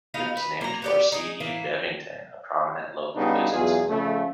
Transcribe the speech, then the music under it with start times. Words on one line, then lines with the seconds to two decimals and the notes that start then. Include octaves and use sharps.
It was named for C. D. Bevington, a prominent local businessman.
0.14 B3 D#4 F5
0.37 B4
0.61 A#3 A5 A#5
0.82 B3 G4 D5
1.12 D#4 G#4
1.40 A2 E3 A#3
3.16 C#3 G3 B3 D4 D#4
3.52 B1 E2 F4 G#4
3.88 F2 C#3 A3